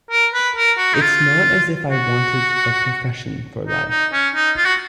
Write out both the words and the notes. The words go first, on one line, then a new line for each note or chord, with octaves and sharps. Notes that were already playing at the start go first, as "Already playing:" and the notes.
It's not as if I wanted a profession for life.
A#4
B4
A#4
F#4
D#4
F4
F#4
D#4
D#4
C#4
D#4
F4
F#4